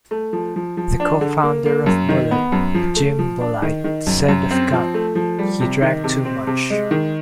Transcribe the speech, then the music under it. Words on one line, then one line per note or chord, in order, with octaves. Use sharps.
The co-founder of Bullet, Jim Bulleit, said of Gant:He drank too much...
A3
F3
F3
F3
D4
D3
A#3
A#3
F#2
D#3
B3
F#2
F3
A3
F3
D4
D#3
D#3
F#2
F#2
C4
F3
A3
F3
G3
C3
D#3
C3
C4
C3
G#3
D#3